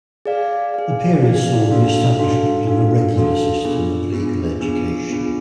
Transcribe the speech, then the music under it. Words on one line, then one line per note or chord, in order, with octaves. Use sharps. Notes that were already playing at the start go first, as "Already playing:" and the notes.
The period saw the establishment of a regular system of legal education.
G#4 D5 F5
G#4 D5 F5
G#4 D5 F5
D4 F#4 A4 F5
D4 F#4 A4 F5
D4 F#4 A4 F5
D4 F#4 A4 F5
B3 D4 F4 G#4
B3 D4 F4 G#4
B3 D4 F4 G#4
B3 D4 F4 G#4